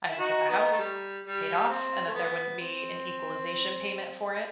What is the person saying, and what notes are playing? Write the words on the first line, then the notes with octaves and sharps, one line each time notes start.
I would get the house, paid off, and that there wouldn't be an equalization payment for it.
E4
D#4 F#4
B3 D#4
B3
A3
G3
G3
C4
A3
B3
C4